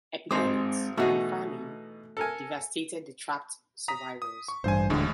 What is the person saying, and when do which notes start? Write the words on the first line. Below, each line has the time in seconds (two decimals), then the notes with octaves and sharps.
Epidemics and famine devastated the trapped survivors.
0.31 G#1 G#3 C4 D#4 C5 D6
0.98 B2 E3 A3 D#4 F#4 G#4
2.17 A4 A#4 G#5
3.88 A#5 D#6 B6
4.22 D#6
4.48 C#6
4.64 A1 G2 C5 G#5
4.90 D#1 A1 A2 D3 G#3